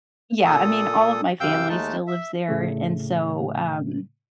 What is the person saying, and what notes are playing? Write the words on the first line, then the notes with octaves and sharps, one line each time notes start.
yeah, I mean, all of my family still lives there. And so, um
A#2 A4 D#6
F#2 C3 F5 G5 E6 G6
D#2 G#3 A3 D#4 A5
E5
A2 C#3 A3